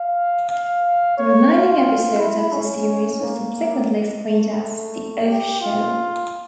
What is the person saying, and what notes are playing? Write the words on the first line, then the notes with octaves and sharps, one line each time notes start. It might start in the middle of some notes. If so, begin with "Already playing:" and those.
The remaining episodes of the series were subsequently screened as "The Of Show".
Already playing: F5
F5
C#5
F4
E4
C#4
A#3
A3
G4
F4